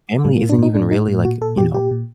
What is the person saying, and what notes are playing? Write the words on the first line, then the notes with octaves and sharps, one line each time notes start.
family isn't even really like, you know,
A2 G3
A#3
A2
D4
A2 D#4
A2 D4
A2 D#4
A2
A#2 F#4
A#2 A4
A#2 G4
A#2 G4
A#2